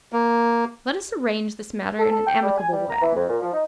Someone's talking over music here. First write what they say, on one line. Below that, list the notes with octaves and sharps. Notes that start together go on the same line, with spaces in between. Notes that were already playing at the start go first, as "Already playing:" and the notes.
Let us arrange this matter in an amicable way.
A#3
A4
A4
G5
G3
G#5
G3
A#5
E3
F2
A#2
F3
D#4